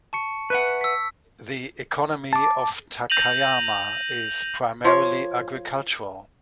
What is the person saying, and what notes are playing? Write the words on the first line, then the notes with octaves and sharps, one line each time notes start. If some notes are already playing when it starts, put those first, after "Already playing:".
The economy of Takayama is primarily agricultural.
A5 C#6 C#7
B4 E5 F#5
E6 B6
A5 D6
G6 A#6 D#7 F7 F#7
F3 C#5